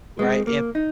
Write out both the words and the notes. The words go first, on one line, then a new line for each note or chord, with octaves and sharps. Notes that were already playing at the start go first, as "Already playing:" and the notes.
right? And
G#3 C4
A#3
D#4